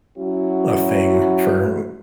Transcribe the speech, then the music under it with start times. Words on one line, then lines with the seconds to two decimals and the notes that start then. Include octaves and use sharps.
a thing for
0.18 F#3 C#4 E4 F#4